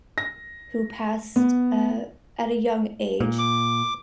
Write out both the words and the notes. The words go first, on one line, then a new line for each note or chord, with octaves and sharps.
who passed, uh, at a young age,
A#6
B3
A#2
D6